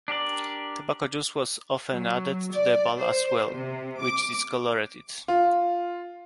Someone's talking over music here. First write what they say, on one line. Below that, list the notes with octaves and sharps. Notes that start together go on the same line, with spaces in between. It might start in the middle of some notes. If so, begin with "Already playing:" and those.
Tobacco juice was often added to the ball as well, which discolored it.
D4 G4 A#4 D5
F#3
D5
C5
C3
D6
F4